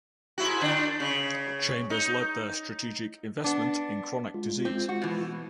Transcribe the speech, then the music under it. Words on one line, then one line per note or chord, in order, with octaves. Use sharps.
Chambers led their "Strategic Investment in Chronic Disease".
G#2 E4 F#4
D3 D4
C#3
D#4
B3 D4
G#3 F4
C4
F#4
B2 E3